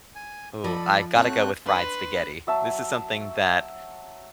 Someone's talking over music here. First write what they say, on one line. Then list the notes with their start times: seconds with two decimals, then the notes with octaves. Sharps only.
Ooh, I gotta go with fried spaghetti. This is something that
0.15 G#5
0.64 F3 A4 D5 D#5 B5
1.15 A3 C4 F#4 C#5 F#6
1.66 D4 B4 C6
2.47 F#3 E5 A5